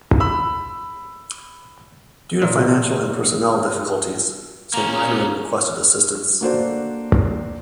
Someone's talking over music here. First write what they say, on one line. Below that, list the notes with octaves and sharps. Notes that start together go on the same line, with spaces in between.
Due to financial and personnel difficulties, Saint Meinrad requested assistance.
B5 E6
A#2
A#3 C4 C#4 A#5
A#3 D4 F#4 A4 C5 D5